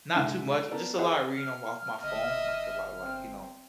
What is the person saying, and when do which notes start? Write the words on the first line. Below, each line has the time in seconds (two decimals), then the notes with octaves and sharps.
not too much. Just a lot of reading on off my phone, like, a lot of like, you know,
0.14 C2 G#2 D3 E5 E6
0.71 B3 A4 A#4 D5
0.98 G#4 A#4 C5 D#5 E5 F#5
1.37 F6
2.04 G1 D#5 E5
3.01 C4